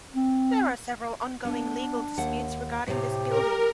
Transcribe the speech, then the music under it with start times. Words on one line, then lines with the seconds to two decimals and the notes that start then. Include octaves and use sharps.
There are several ongoing legal disputes regarding this building.
0.15 C4
1.45 B3 D4
2.18 D#2 F#5
2.88 A2 C3 G4
3.29 A#4